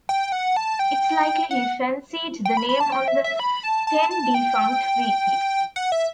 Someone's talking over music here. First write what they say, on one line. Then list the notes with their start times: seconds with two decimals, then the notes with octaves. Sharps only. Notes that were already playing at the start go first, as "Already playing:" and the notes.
It's likely he fancied the name of the then-defunct weekly.
0.09 G5
0.32 F#5
0.56 A5
0.79 G5
1.51 F#5
2.45 G5
2.57 B5
2.69 B5
2.80 A5
2.92 G5
3.08 E5
3.24 E5
3.40 B5
3.63 A5
3.87 A5
4.11 A5
4.34 G5
5.76 F#5
5.92 E5